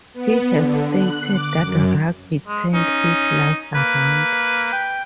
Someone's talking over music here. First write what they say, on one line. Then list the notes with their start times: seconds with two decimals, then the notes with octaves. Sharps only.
He has stated that rugby turned his life around.
0.14 B3
0.50 D3
0.92 F#6
1.33 D6
1.63 F#2
2.48 G#3
2.74 C#4 D#4
3.75 A#3 B4
4.72 G5